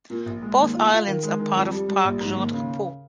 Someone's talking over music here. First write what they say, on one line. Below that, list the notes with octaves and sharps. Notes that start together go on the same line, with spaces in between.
Both islands are part of Parc Jean-Drapeau.
A#2
A#1
G#3
D#2
F4
F4
D#3
G#3
D#3
F2
G3
G3
A#1
G#2
D#2
C#3